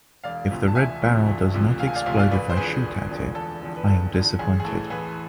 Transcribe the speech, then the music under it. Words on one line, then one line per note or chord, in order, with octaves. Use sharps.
If the red barrel does not explode, if I shoot at it, I am disappointed.
E1 D5 F5
D2 C3 F3
A5
E1 E5 G#5
D2 C3 F3
E1
D2 C3 F3
E1 F5
G#5
D5 F5
D2 C3 F3 F5
G#5
D5 F5
E1 B4 D5
C5
E2 D3 F3 G#4 B4
E1
E2 D3 F3
E1 A4
E2 D3 F3
B4
E1 A4
E2 D3 F3
A1 G#4
G#4
A2 E3 A4
A1 G#4 B4